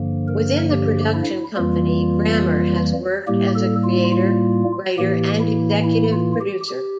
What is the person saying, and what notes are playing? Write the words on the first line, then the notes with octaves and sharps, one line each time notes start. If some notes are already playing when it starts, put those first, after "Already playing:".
Within the production company, Grammer has worked as a creator, writer, and executive producer.
Already playing: G2 D3 F3 A#3
A#4
G4
E4
F2 E3 G3 A#3 F4
A2 G3 A#3 G4
A4
F4
F4
A2 E3 A#3 G4
E4
E4
F4
G4
G4